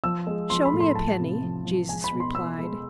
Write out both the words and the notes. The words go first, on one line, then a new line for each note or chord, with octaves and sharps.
"Show me a penny," Jesus replied.
F3 E6
G#3
F3 C6
B5
A2
C6
F3 A5
C3
F3
F3
G#3 G#5
B5
B2
C6
B2 E6
G#3